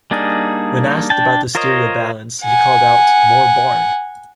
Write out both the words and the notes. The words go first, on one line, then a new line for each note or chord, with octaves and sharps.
When asked about the stereo balance, he called out, More barn.
G3 A#3 D4 D#4 G#4
D4 G5 A5
F4 A#4 C5 C#5 D#5
F#5 G#5